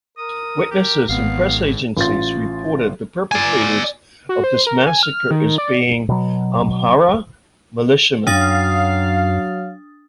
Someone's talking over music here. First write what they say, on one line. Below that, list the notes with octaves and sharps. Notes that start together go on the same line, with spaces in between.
Witnesses and press agencies reported the perpetrators of this massacre as being Amhara militiamen.
A#4 D#6
G4
G#1 B3 F5
A1 F4 A6
D5 G#5
F#4
C5
A#4
G#5
F6
D#3
D5
B2 F#3
F#2 F#3 D4 F5 D#6 A6